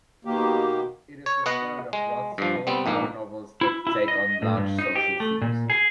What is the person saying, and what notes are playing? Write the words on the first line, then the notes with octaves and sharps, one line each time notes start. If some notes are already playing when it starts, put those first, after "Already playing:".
It is the third of Roth's postwar novels that take on large social themes.
B2 D#3 A#3 G4
C#5
B3 F#4 D#5 F#5
G#3
G2 F3
G3 B3 C4
A#1 G#2 A#3
E4
E4
D#5
A2
G2
D#4
G4
A3
A#2
G#4